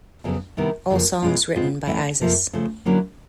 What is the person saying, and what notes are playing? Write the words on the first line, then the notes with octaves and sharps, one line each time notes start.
All songs written by Isis.
F2 C#3 F#3 B3
C3 D#3 G3 B3 E4
F2 C#3 F3 A#3
B2 G#3 C#4 F4
B2 G#3 C4 F4
E3 A3 C#4 E4
F2 C3 F3 A#3
C#3 F3 A3
D3 F#3 A#3 C#4 E4